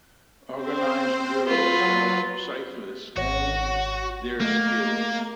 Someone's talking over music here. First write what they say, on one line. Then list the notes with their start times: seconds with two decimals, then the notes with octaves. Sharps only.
Organized drills help cyclists hone their skills.
0.54 C4 C5
1.47 F#3 F4 B4
3.16 G#1 F#4 C#5 A#6
4.40 A3 A#3 D#5